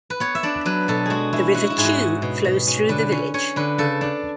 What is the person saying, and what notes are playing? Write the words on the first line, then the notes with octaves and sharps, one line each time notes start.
The River Chew flows through the village.
B4
B3 C#5
E5
D4 D5
F#3 B4
B2 A4
G#3 F#4 G#4
G#3 E4
C#4 F#4
E4
G#2 G#4
F#4
C#4
B2
B2
C#4
D3 B4
C#4
C#4 C#5
D3 B4
C#3 A4
D4